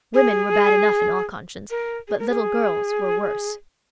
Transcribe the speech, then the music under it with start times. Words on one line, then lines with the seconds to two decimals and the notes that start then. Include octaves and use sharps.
Women were bad enough in all conscience, but little girls were worse.
0.14 G#4
1.70 A#4
2.08 G#4
2.19 A#4
2.29 G#4